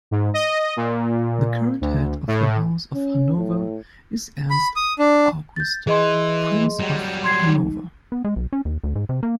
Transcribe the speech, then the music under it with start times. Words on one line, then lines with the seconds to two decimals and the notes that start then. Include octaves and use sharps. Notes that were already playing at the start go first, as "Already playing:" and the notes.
The current head of the House of Hanover is Ernst August, Prince of Hanover.
0.11 G#2
0.34 D#5
0.77 A#2
1.81 D2
2.28 A2
2.95 C#4
3.38 A2
4.50 B5
4.76 D#6
4.99 D4
5.56 G6 A6
5.87 E3 G#4 D#5 C6
6.80 F#3 G3
7.24 C6 G#6 C7
7.47 D#4
8.12 B3
8.25 G#3
8.36 B1
8.53 C#4
8.65 D#2
8.84 D2
8.96 G#2
9.09 C3
9.23 A#3